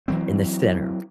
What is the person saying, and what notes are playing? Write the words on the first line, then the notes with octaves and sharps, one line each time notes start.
in the center,
E3 F#3 C4